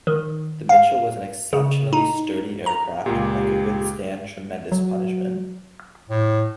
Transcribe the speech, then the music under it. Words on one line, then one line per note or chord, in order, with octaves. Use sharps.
The Mitchell was an exceptionally sturdy aircraft that could withstand tremendous punishment.
D#3
F5
C#3
D#4
A#5
C#2 A#2 G4
F#3
A2